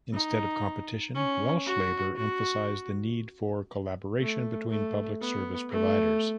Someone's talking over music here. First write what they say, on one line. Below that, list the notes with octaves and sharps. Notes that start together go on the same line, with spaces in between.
Instead of competition, Welsh Labour emphasised the need for collaboration between public service providers.
D#4
C#4
F#4
F#4
A3
A3
B3
A3